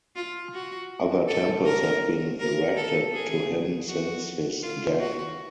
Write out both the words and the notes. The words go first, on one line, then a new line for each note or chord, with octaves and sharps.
Other temples have been erected to him since his death.
F4
F#4
A4
A#4
A#4
A4
G#4
F#4
F4
F#4